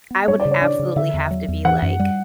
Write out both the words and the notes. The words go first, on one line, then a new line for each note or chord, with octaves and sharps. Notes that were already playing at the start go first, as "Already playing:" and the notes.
I would absolutely have to be, like
B3
G3 C#5
D5
C#3
C#5
D4 D5
C#3
D3 E5
E2
F#3
E2
E3 F#5
F#2
G3